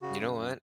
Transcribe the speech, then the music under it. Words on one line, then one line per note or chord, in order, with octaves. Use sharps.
You know what?
C#3 F#4
F#2
F#2